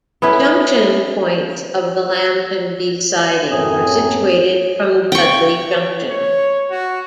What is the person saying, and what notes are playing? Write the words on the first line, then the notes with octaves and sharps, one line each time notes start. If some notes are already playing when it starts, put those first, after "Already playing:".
The junction points of the Lambton B siding were situated from Dudley Junction.
B3 C#4 E4
F#2 A2 F#3 C4 G#4
G5 C#6
C#5
F#4